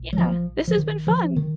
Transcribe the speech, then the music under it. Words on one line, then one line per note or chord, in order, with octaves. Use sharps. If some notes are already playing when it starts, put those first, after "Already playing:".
Yeah, this has been fun.
Already playing: A#1
F#3
F3
F3
D#3
F3
D#3